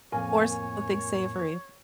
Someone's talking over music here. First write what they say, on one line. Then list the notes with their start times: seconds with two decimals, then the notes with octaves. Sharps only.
or something savory.
0.12 F2 A2 A#3 A#4 C#5 G#5